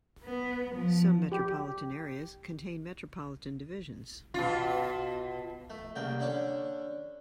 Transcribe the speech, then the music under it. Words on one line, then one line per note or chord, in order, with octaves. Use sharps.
Some metropolitan areas contain metropolitan divisions.
B3
F3
G4
B2 F4
A3
C2 C#3 A#3 G5
D3 C#4 D4 A4